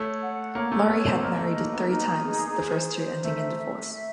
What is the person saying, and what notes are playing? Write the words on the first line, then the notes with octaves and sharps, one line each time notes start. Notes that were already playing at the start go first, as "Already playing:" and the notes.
Murray had married three times, the first two ending in divorce.
Already playing: A3 C#5
F#5
A#3 C#5
A3
B3 C#5
C4
A#3 D#5
A3
A#3 D#4
B3
A#3 D#4
G#4
C5
C5
A3 E5
E5
E5